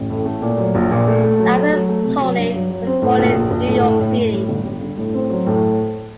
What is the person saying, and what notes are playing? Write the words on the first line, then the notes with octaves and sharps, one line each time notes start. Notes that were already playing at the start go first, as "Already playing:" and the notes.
Alfred Poling was born in New York City.
Already playing: A1
A2
A3
A#2
F#3
A#1
A#2
A3
A3
F#3
A3
F#3
A3
C3
F#3
G2
F#3
F#3
C4
A2
A#1
A#1
A#1
A2
A2
A2
A2
G3
G1
G3
D3
A2
C4
F#3
A2